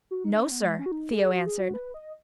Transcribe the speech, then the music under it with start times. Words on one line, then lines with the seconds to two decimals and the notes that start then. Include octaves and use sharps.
"No, sir," Theo answered.
0.11 F#4
0.24 D#4
0.38 C#4
0.51 B3
0.64 G#3
0.79 C#4
0.86 F#4
0.92 D#4
1.12 G#4
1.32 F#4
1.46 G#4
1.59 F#4
1.74 B4
1.94 D#5